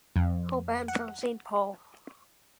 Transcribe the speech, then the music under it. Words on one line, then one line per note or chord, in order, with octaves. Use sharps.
Hoban from Saint Paul.
F2
F#5